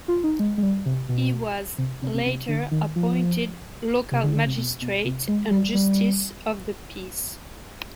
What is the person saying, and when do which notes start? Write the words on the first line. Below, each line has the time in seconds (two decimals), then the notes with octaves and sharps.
He was later appointed local magistrate and Justice of the Peace.
0.08 F4
0.24 D#4
0.39 G#3
0.58 G#3
0.63 G3
0.86 C3
1.09 B2
1.78 C3
2.02 C3
2.14 C3
2.26 C3
2.48 D3
2.71 D#3
2.96 F3
4.12 C3
4.23 D3
4.35 D3
4.46 C3
4.58 B2
4.82 B2
5.05 C3
5.28 G#3
5.51 G3
5.74 G3